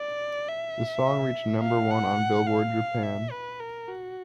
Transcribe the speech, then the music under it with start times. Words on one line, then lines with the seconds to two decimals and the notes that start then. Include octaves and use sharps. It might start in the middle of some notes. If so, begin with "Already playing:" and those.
The song reached number one on Billboard Japan.
Already playing: D5
0.48 E5
1.62 F5
1.91 F#5
2.47 F5
3.03 E5
3.31 B4
3.60 A#4
3.88 F#4